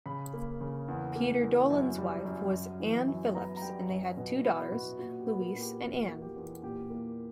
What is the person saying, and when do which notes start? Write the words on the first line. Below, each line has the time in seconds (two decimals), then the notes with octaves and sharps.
Peter Dollond's wife was Ann Phillips and they had two daughters, Louise and Anne.
0.06 C#3 B5
0.33 A#3
0.61 C#3
0.88 E2
1.16 A#3
1.42 E2
1.70 F#2
1.98 G3
2.25 F#2
2.52 F#2
2.80 E3
3.08 F#2
3.34 B3 A#5
3.57 A#5
3.62 G3 G5
3.89 F#2 C#5
4.17 B2 B4
4.44 B3 E4
4.72 B2 F#4
4.98 A#2 F#4
5.19 G4
5.26 B3
5.40 A#4
5.54 A#2
5.61 G4
5.81 E2 F#4
6.08 A#3
6.22 G4
6.36 E2
6.63 A#2 G4
6.90 A#3